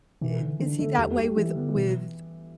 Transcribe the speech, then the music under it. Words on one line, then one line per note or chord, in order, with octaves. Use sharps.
i is he that way with with
B2 E3
D3 E3
D3 D4
D3 A3
E2 G3
G3
E3 E4
D3 B3
B2 E3